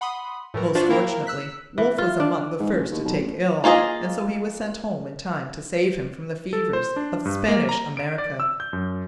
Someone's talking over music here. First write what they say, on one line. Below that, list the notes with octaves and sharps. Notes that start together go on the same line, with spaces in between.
Most fortunately, Wolfe was among the first to take ill; and so he was sent home in time to save him from the fevers of Spanish America.
F#5 B5 C6 D#6
A2 E3 A#4
D4 F4 F#4 C5 D5 E5
A#3 E4 A#4 F5 G5 A#5
E6 F#6 B6
E3
F4
D4
G#2
A1
D#2
B1
A1
A#3 F4 G#4 D5 D#5
A4
C5
D4
G2
A#3
A#5
D7
D5
E6
G6
F#2